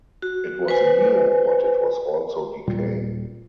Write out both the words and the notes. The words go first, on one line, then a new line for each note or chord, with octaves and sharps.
It was new, but it was also decaying.
F#4
B4 C5 G#5
D#1 A#2 G3